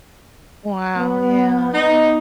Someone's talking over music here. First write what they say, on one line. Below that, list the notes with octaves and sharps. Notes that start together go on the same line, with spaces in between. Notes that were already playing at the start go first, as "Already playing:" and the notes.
Wow, yeah.
B3
D#4